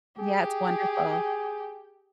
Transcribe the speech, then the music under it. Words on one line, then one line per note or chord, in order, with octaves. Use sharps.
Yeah, it's wonderful.
G4 G#4